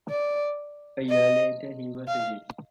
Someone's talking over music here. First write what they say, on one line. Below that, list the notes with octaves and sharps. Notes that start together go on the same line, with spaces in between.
A year later, he was released.
D5
D#5
F5